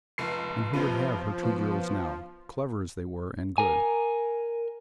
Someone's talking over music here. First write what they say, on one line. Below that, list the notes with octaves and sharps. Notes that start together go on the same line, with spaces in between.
And who would have her two girls now, clever as they were and good?
F1 C#2 C7
A1 C3 F3 B4
B2
A#4 G#5